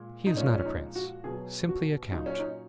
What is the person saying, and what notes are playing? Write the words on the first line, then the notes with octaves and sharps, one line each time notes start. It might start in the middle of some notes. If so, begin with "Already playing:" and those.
"He is not a prince; simply a count."
Already playing: A#2 G#3
D#4
A#2 F3 G#3 C#4
C#4
D#4
F#4
B2 F#3 G#4
F#4
A#2 F#3 D#4
C#4
D#4